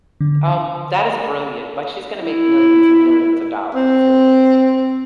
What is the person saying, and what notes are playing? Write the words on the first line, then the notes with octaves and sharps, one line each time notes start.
Um, that is brilliant. Like, she's gonna make millions and millions of dollars, seriously.
D3
E4
C4